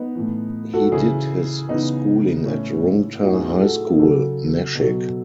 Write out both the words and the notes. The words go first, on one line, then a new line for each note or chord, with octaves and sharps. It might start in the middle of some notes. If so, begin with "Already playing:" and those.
He did his schooling at Rungta High School, Nashik.
Already playing: B3 D#4
A2 E3
F#4 A4
C#3 E3 E4 G#4
C#3 E3 B3 D#4
A2 E3 C#4 E4
A2 F#3 D#4 F#4
E4 G#4
E4 G#4
F#4 A4
C#3 F#3 F#4 A4
B2 F#3